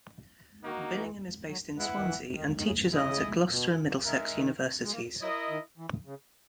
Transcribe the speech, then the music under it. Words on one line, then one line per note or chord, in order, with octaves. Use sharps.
Billingham is based in Swansea and teaches art at Gloucester and Middlesex universities.
D#3 A#3 D#4 F#4
E3
F#3
G#3 E4 B4 F#5
D#3
E3
D#3
D#3
C#3
B2 E4 G#4 D#5
C#3
B2
C#3 G#3 D#4 A#4 E5
D#3
G#3
A#3
F#3 E4 A#4 D#5
D#3
E3
C#3